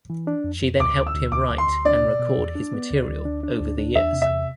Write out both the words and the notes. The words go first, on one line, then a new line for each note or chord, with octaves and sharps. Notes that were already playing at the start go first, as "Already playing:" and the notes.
She then helped him write and record his material over the years.
E3
D4
F2
F2
D2 D6
D2
E6
D2
D2 D6
D2
C6
D2
D4 D5
B2
B2
E2
D4
B3
D2
D2
D4
D4
D2
D4
E2 E5
C3
E5
E2